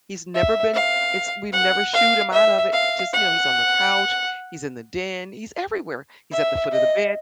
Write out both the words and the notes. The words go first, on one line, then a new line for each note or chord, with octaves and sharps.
He's never been it's we've never shooed him out of it. Just, you know, he's on the couch, he's in the den, he's everywhere. He's at the foot of the bed.
E5
F5
F#5
F5
E5
F5
F#5
E5
D#5